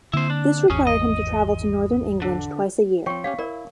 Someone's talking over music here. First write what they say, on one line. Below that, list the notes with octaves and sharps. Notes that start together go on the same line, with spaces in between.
This required him to travel to Northern England twice a year.
D3 A#3 C4 E4 C5
D4
G#1 E2 C#4 G#4
D#5
D3
F3 C4 C#5 G5 C#6
C#4 G4 C#5 F5
E4 A#4 D5